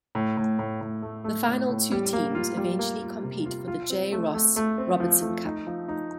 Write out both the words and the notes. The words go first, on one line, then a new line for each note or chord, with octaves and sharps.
The final two teams eventually compete for the J. Ross Robertson Cup.
A2
A2
A2
A2
A3
A3
A2
A2
G3
A#3
F4
G3
A#3
F4
C3
F4
F4
C4
A3
A3
A3
C4
F3
A3
D#4
F3
D#4